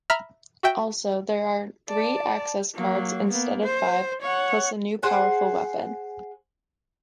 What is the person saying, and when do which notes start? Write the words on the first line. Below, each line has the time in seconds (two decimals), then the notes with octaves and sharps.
Also there are three access cards instead of five plus a new powerful weapon.
0.10 E5 A#5 B5 F6
0.63 F#4 E5 G5
1.89 D5 A5
2.75 F#3 A#3
3.31 A#3 B3
3.63 C5
4.22 C#5 F#5
5.03 G#4 C5 F#5 G#5